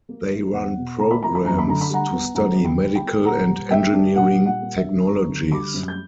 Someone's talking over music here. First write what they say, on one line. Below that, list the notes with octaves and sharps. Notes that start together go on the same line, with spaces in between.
They run programmes to study medical and engineering technologies.
A#3
E4
E2 F#5
B2
A#3 A#5
B5
E4 A#5
B5
F#2 A#5
B5
D3 A#5
B5
G3 F#5 A#5
B3
F#2 F#5 A#5
D3
G5 B5
G3
G5 B5
B3
A#2 F#5 A#5
G3
A#3 E5 G5
D4
A#2 F#5
G3
F#5
A#3
E5
D4
F#2 A#5 C#6
D3
G3 B5 D6
F#2
G6